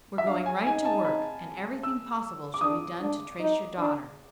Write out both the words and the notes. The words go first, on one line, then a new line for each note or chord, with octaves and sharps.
We're going right to work, and everything possible shall be done to trace your daughter.
E5
D4 F5
G#5
D#4 G#5
A5
B5
E6
D6
D4 D#6
D4
D#4
D4